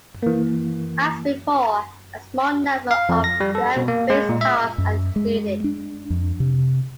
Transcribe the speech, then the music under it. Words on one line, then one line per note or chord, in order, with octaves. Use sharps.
As before, a small number of blank-faced cards are included.
E3 A#3
F5
F2
A#6
G3
A4
B2
A#3
G#3
A#2
E5
F#2
G#3
D4
F2
C3